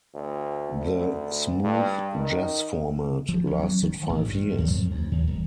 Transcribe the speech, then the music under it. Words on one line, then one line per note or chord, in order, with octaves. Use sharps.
The Smooth Jazz format lasted five years.
D2
D2
G2
D#3
F3
C#4
F#3
D#3
A1
G2
D#2
F2
D2
D#2
D#1